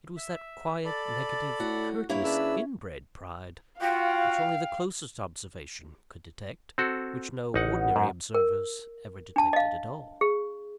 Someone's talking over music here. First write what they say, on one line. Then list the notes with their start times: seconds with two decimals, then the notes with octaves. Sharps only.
It was that quiet, negative, courteous, inbred pride, which only the closest observation could detect; which no ordinary observers ever detected at all.
0.17 E5
0.85 A4 D5 B5
1.60 A2 F#4
2.09 G2 A#3 E4 C#5
2.24 C#3 D4 B4 E6
3.81 F4 F#4 F5 G5
6.78 C4 F#4 A4
7.54 A1 D#4 F#5
7.73 B3
7.96 G#2 D#3
8.34 A#4
9.36 D4 A5
9.53 D#5 F5
10.21 G#4